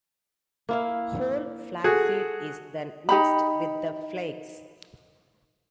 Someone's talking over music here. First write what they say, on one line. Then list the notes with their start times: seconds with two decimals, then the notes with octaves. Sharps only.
Whole flaxseed is then mixed with the flakes.
0.69 A#3 E4 F5
1.84 F#4 G#4 A4
3.09 D#4 G4 B5